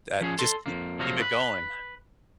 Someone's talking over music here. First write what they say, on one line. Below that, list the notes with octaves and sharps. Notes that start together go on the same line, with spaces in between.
That just keep keep it going.
F3 C#4 G#4
A4 C6
F2 A#3
C3 F3 F#3 A3 A#3 A#4
B4